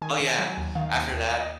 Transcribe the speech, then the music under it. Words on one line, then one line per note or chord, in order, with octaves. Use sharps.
Oh, yeah. After that,
D#3 G#5
D#3
G#5
F#3
G#5
D#2
D#3 F5
D#2
D#2
D#2
D#5